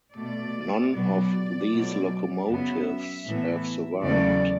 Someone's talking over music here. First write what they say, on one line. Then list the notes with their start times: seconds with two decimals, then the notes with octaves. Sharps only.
None of these locomotives have survived.
0.15 B2 A3 D5
0.93 B2 F#3 B3 D5
1.71 B2 F#3 A3
2.48 F#2 C#3 F#3 B3 E5
3.27 A2 E3 B3
4.04 E2 C#3 F#3 A3 D5